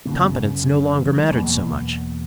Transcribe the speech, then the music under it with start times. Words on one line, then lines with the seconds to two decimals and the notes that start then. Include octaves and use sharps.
Competence no longer mattered so much.
0.05 F#2 C#3 B3
0.95 E3
1.07 F#3
1.19 G#3
1.30 E2 B2 A#3